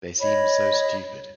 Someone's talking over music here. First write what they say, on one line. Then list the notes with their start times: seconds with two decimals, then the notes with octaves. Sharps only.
They seem so stupid.
0.21 C#5 D#5 B5